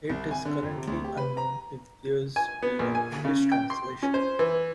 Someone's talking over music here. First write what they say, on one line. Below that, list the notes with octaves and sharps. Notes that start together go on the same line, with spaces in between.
It is currently unknown if there will be an English translation.
C2
G#5
D3
F2
C3
D2
G4
B4
A#5
G#5
B3
A#1
G#5
C#3
G5
C6
C#4
C5
E3